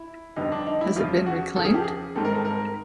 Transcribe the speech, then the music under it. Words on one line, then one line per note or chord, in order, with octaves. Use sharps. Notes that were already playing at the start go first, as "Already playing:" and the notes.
Has it been reclaimed?
Already playing: E4
F2 D3 G3 B3 D#4
D4
D#4
E4
E2 C#3 F3 F4
F#4
E2 C#3 F3 A4
G#4
G4
G#4
G#2 D#3 G3 C4 A4
A#4
A4
A#4